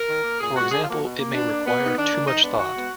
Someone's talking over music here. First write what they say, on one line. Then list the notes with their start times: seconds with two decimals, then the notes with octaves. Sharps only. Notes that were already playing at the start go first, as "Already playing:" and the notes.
For example, it may require too much thought.
Already playing: A#4
0.09 D#3
0.24 A#3
0.39 A#2 G#4
0.55 G#3 B3 F#4
0.70 D3 G#4
0.81 F4
0.87 F3 A#3 F#4
1.02 B2
1.18 A#3
1.33 B2 D4
1.49 A#3
1.64 B2 B3
1.80 A#3 D#4
1.96 D#3 D4
2.11 A#3
2.27 D#3 D#4
2.42 G#3 B3 D4
2.59 D#3 F#4
2.73 G#3 B3